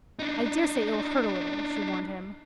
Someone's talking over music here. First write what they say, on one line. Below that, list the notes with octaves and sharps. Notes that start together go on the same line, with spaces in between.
"I daresay it will hurt a little," she warned him.
D4 D#4